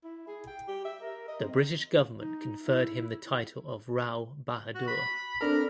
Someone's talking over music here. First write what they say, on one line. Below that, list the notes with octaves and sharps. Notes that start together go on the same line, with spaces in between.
The British government conferred him the title of Rao Bahadur.
E4
G#4
G5
G4
E5
A#4
D#5
C4
D#4
E4
F#4
B5
C4 D4 A4 A#4